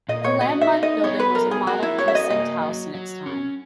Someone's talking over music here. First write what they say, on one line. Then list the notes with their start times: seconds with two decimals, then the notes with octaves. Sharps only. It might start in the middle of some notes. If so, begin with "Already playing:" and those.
The landmarked building was a model precinct house in its time.
0.09 A#2 D#5
0.24 C#5
0.41 F#4 D#5
0.61 E5
0.72 D#4
0.83 D#5
1.04 B3 C#5
1.20 B4
1.35 F#3 A#4
1.51 G#4
1.67 F#4 A#4
1.83 E4
1.98 F#4 C#5
2.08 E5
2.15 D#5
2.30 A#3 D#5
2.62 F#3
2.94 F#3
3.26 C#4